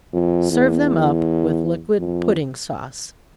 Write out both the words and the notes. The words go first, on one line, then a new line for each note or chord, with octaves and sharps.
Serve them up with liquid pudding sauce.
F2
E2
F2